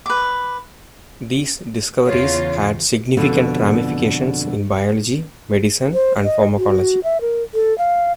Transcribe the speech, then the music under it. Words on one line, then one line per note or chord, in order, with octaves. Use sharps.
These discoveries had significant ramifications in biology, medicine, and pharmacology.
B4 D6
E2 C#3 F4 C#5
F2 B2 D3
C5
D#5
F#4
E5
A#4
A4
F5